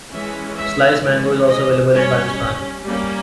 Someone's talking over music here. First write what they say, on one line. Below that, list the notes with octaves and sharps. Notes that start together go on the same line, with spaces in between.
Slice mango is also available in Pakistan.
E3 G#3 C#4 E5
E5
E3 G#3 C#4
D#5
G3 C#4 C#5
G3 A#3 C#4